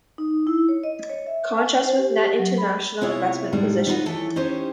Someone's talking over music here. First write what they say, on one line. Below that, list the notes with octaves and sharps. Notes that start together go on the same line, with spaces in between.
Contrast with net international investment position.
D#4
E4
C#5
D#5
C#5
E5
G#5
C5
G4
F#3
B5
C3 B3 E4 F4 C#5 E5
A2 C3 D#3 G3 G#3
D#4 F4 F#4 A#4 B4
E3 A3 E4 A4 C#5
C#4 D#4 G4 C5 C#5